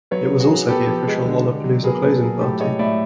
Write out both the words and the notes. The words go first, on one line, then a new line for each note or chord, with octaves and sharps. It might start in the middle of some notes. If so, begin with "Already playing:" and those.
It was also the official Lollpalooza closing party.
F#3 B4 C#5
C#3
F#4 G#4
F#3
B3 G4 A4
F3
G#3
D3
D3
F#3
B3 G#4 A#4
A#2 A4 B4
F#3 G#4 A#4
A2 G4 A4
G#3 C#5 D#5
A2 D5 E5